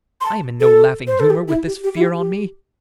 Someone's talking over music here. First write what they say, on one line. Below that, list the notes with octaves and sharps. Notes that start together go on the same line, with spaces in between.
I am in no laughing humor with this fear on me.
C6
A5
A4
C5
A4
G4
E4
G4
G4
E4
G4
G4